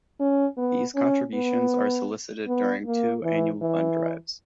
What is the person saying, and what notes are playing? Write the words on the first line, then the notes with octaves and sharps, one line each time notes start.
These contributions are solicited during two annual fund drives.
C#4
B3
C#4
B3
B3
A#3
E3
E3